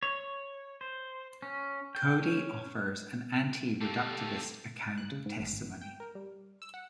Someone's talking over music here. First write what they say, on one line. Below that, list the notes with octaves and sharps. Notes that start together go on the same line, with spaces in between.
Coady offers an anti-reductivist account of testimony.
C#5
C5
C#4
G5
C#4
F2 A3 A#3 G4 A4
F#6
C#3
G#2
A1
G#1
G5
A#4
G3
E6
F#5